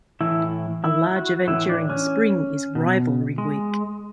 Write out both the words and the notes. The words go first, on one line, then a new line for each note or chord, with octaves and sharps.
A large event during the spring is "Rivalry Week".
A2 E3 E4
E4
F#4
A2 E3 E4
D4
C#4
B2
G#3